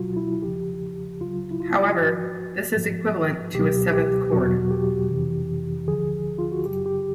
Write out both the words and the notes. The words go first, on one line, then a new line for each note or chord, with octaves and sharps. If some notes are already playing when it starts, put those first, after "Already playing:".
However, this is equivalent to a seventh chord.
Already playing: C#2 B2 F#3 F4 F#4
E4
E2 C#3 F3 G4
C#2 C#3 F#3 F4
E4
F4
G#2 F3 F#4
G#2 F3
C#2 B2 F#3 G4
G4
E2 B2 F#3 F#4
G4
F2 C3 E3
D2 D3 F3 G#4
F4
F#4
F#2 C#3 F#3 G4
G4